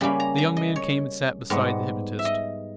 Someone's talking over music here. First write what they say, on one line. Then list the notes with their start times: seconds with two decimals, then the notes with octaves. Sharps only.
The young man came and sat beside the hypnotist.
0.01 C#3 G3 A#3 C#4 B5
0.20 A#5
0.38 A#5
0.57 D#5
0.76 C#5
1.50 G#2 G3 B3
2.19 E5
2.25 D#5